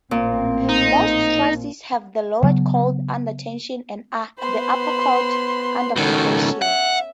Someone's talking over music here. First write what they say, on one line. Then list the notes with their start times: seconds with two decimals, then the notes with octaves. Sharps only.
Most trusses have the lower chord under tension and the upper chord under compression.
0.11 A1 A#2 C4
0.69 D#4
2.43 C#3 F#3 B3
4.39 B3 C5 B5 C6
5.96 C#2 D#3 C#4 F#4 A4
6.62 E5 F#5